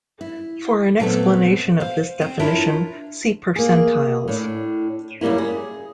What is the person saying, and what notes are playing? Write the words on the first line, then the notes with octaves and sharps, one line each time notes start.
For an explanation of this definition, see percentiles.
E4
A#2 F#3 A3 B3 C4 A4
C5 F5
C4
D4 E4 F4 A#4 C#5
A#3 G#4
A2 D4
F#2 C#3 G3 A#3 E4
G#4